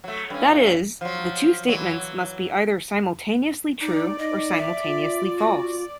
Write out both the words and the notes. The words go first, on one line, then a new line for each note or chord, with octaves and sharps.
That is, the two statements must be either simultaneously true or simultaneously false.
F#3 A3
G2 C#4
F3 F#3
E3 F#3
D#4 D5
D#4 D#5
E5
F4
F#4